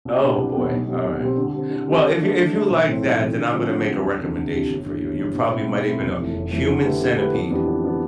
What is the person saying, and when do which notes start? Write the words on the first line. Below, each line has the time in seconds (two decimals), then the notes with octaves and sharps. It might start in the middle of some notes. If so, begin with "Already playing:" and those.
Oh, boy. Alright. W Well, if you if you like that, then I'm gonna make a recommendation for you. You probably might even know. Human Centipede.
0.05 C2
0.21 B2 B3 D4 G4
0.38 C2
0.55 B2 B3 D4 G4
0.72 B1
0.88 B2 G3 C4
1.04 B1
1.20 B2 G3 C4
1.37 D3
1.53 G3 C4
1.70 D3
1.88 G3 C4
2.03 D3
2.21 A3 D4
2.37 D3
2.53 A3 D4
2.70 B1
2.86 A2 E3 A3 C4
3.03 B1
3.19 A2 E3 A3 C4
3.36 D3
3.52 F3 A3 C4
3.69 D3
3.86 F3 A3 C4
4.03 D2
4.19 C3 E3 G3 D4
4.36 D2
4.53 C3 E3 G3 D4
4.69 G1
4.86 G2 E3
5.01 G1
5.18 G2 E3
5.35 B2
5.52 A3 C4 E4
5.69 B2
5.84 A3 C4 E4
6.02 F1
6.18 F2 E3 A3
6.34 F1
6.52 F2 E3 A3
6.67 D3
6.84 A3 E4 G4 B4
7.01 D3
7.17 A3 E4 G4 B4
7.35 F2
7.51 E3 G3 B3 D4
7.67 F2
7.83 E3 G3 B3 D4